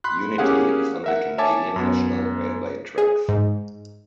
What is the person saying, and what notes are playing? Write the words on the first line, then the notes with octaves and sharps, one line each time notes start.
Unity is on the Canadian National Railway tracks.
B5 C6 F#6
A#3 C#4 G4 G#4 F5 F#5
A#4 E5 F#5
C#5 E5 G#5 A5 D6
F#2 B3
G#4
G#2